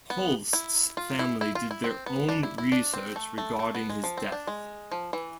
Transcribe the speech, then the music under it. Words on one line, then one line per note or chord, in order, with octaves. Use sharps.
Holst's family did their own research regarding his death.
B3
E4
F4
E4
E4
F4
E4
C4
B3
D4
E4
E4
D4
C4
A3
A3
A3
B3
G#3
F3
C4
D4
G#3
F3
E3